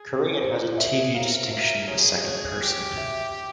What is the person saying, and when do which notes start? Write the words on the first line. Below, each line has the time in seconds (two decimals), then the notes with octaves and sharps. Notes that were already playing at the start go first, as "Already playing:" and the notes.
Korean has a T-V distinction in the second person.
Already playing: G#4
0.41 C5
0.73 C#5
0.77 G#4 E5
1.14 A#4 F5
1.51 E5
1.87 G#4 C#5
2.24 C#5
2.61 G4
2.97 E5